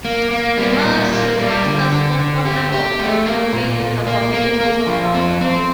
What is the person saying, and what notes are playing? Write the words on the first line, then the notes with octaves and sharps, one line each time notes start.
Nirmala Srivastava spoke on a number of occasions about the evils of alcohol.
A#3
A#3
G3
A#2
A#3
G3
D3
D3
D3
G4
G4
A3
A#3
A#2
A#2
A#3
A#3
A#3
F3
C4
C4